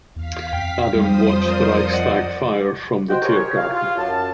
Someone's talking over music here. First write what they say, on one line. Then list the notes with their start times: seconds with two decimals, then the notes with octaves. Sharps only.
Adam watched the Reichstag fire from the Tiergarten.
0.16 E2 F5 B6
0.53 F2 G5
0.95 F2 F3 G3 C5 D#6
1.50 A#4 D5
1.93 D5 D#5 F#5
3.10 F#4 C5 D#5 G5
3.22 G4 G#4 A#4 C#5
3.57 F5
3.72 F4
3.97 F#2 A5